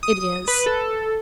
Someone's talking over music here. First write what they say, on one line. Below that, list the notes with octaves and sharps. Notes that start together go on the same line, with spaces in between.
"It is."
D#6
B4
A4